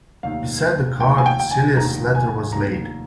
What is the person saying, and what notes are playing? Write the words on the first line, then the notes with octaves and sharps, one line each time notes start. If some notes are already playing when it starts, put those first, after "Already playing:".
Beside the card Celia's letter was laid.
F1 D#2 D#3 F5
F1 D#2 D#3 G5
G#5
G5
G5
G#5
F1 D#2 D#3 A#5
G#5
F1 D#2 D#3 A#5